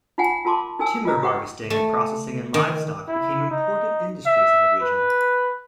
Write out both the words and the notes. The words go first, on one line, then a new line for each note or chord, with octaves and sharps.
Timber harvesting and processing and livestock became important industries in the region.
D#4 F4 F5 F#5 G#5
F4 A#4 A5 C6 D6
D#4 A#4 G#5 E6
F4 D#5 A#5
G4 B4 F#5 G5 C#6
A3
D#3
E4
D#4
E5
B4